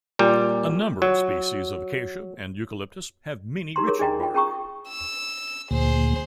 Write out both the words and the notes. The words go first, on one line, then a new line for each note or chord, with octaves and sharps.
A number of species of "Acacia" and "Eucalyptus" have minni ritchi bark.
A#2 G3
F#3
D#4 G4 A#5 C6
G#4 A#4 C#5
D4 G#4 D5 D#5 G5 A#5
F4 G5
C#4 G#4 G5 A#5 C#6 D#6
E6
D2 A#2 G#4 C5